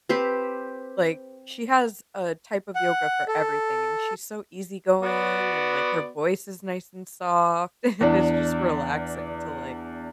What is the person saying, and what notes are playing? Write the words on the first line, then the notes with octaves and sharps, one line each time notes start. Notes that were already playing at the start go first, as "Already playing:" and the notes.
like, she has a type of yoga for everything, and she's so easygoing, and, like, her voice is nice and soft, and it's just relaxing to like
C4 G4 B4 C5
F#5
A4
B3 F#4 D5
E2 D4